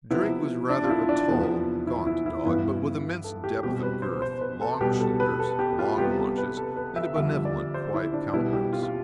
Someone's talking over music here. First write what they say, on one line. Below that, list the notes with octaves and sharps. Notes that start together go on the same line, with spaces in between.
Drake was rather a tall, gaunt dog, but with immense depth of girth, long shoulders, long haunches, and a benevolent, quiet countenance.
C3 F3 B3 E4
D4
F4
E4
D4
E2 C3 F3 B3
E4
E4
E4
G2 E3 B3 E4
A4
G4
B2 G3 C4 G4
B4
C5
C5
B4
A4
B2 G3 B3 G4
A4
B4
A4
G4
F4
C3 G3 B3 G4
A4
B4
A4
B4
E5
F2 D3 G3 E5
D5
C5
E4
D4
B2 G3 B3 E4
G4
F4
F4